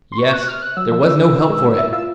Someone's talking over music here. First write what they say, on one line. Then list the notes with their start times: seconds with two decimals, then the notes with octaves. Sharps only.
Yes! there was no help for it.
0.12 C6
0.18 C#6
0.33 F#6
0.48 F6
0.63 F#6
0.77 F#3 E6
0.91 F3
1.06 D#3
1.20 D3
1.35 D#3
1.50 G#3
1.64 A#3
1.78 E4
1.93 F4 E6